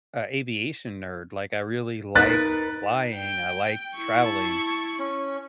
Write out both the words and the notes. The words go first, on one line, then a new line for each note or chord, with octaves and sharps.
a aviation nerd, like, I really like flying, I like traveling.
D#4 A#4 B4 F#6 A6
G5
E4 C#6
A5
C#4